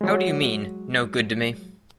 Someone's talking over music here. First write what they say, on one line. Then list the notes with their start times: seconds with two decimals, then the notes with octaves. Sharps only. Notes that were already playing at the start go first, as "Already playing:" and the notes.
How do you mean, no good to me?
0.01 F#3 G#3